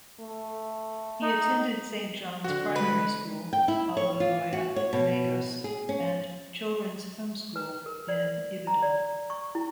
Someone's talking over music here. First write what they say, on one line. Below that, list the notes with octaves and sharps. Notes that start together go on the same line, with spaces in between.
He attended Saint John's Primary School, Aroloya, Lagos and Children's Home School in Ibadan.
A3
D#4
D3 C4 F#4
G#3 B4
G5
E4
C#5
F4
F#4
C#5
B2
G#4
C#4
B4
A#4
D5
A#5
D5
C#6
E4